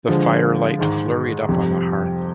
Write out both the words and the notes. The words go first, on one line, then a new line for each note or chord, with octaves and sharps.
The firelight flurried up on the hearth.
D3 F3 G#3
G#2 D#3 G#3
F2 C3 G3